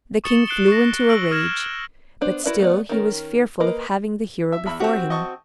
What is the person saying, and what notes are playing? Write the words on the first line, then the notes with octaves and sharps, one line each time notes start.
The king flew into a rage, but still he was fearful of having the hero before him.
C#6 D#6 A6 C#7 E7 G7
F#6 C7 D7 E7 G7
C#6 A#6
E6 F#6 D7 F#7
D#6 F6 G#6 A#6 E7
B3 D4 C5
E4 F#4 A#4 B4 D5
A3 B3 D5
D#3 C#4 A#4
A#3 A#4 B4 D#5
E5
E2 E5 B5
C4 F#4 G4
D#5 A5 C#6